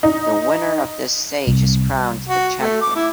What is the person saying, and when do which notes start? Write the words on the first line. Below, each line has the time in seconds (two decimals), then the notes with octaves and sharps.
The winner of this stage is crowned the champion.
0.03 D#4
1.47 C2
2.29 F#4
2.60 A3
2.82 D6
2.95 E4